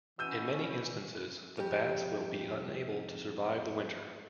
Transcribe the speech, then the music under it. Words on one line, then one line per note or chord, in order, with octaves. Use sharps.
In many instances the bats will be unable to survive the winter.
B2 E3 C#4 E6 G6 D#7
F2 G4